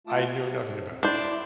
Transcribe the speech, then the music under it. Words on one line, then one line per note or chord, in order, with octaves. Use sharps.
I know nothing about it.
A3 F4 A5
C3
D4 E4 C5 D5